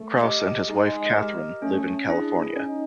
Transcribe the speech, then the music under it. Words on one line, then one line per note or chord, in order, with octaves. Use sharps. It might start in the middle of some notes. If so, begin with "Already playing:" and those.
Krause and his wife, Katherine, live in California.
Already playing: A3
G4 A#4 D#5
G#3 D#4
G4 A#4 D#5
A3 C#4
D4 E4 G#4
C#4 D#4